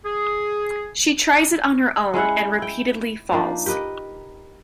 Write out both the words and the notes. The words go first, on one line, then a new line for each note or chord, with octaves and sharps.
She tries it on her own and repeatedly falls.
G#4
G#3 C#4 E4 F#5
E4 G5
F3 A#3 D4 D#4
G4 A#4 B4 D#5